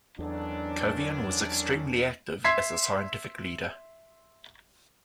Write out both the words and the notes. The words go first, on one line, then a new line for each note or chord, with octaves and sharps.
Covian was extremely active as a scientific leader.
E2 D3 D#3 F#3 C#4 D4
E5 C6 G#6 B6 C7